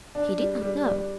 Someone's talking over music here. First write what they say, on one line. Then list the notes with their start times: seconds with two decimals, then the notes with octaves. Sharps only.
He did not know.
0.15 D4
0.38 G3
0.61 G3
0.85 G3